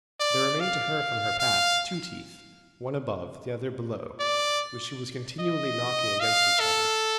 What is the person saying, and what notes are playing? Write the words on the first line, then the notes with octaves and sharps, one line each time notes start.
There remained to her from her past, two teeth,--one above, the other below,--which she was continually knocking against each other.
D5
F5
F5
D5
D#5
F5
A4